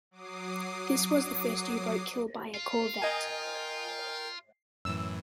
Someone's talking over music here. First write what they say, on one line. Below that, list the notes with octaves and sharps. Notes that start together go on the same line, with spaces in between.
This was the first U-boat kill by a corvette.
F#3 D6 D#6 C7
F4
A#4 D#5 G5 G#5
F#2 A2 E3 E6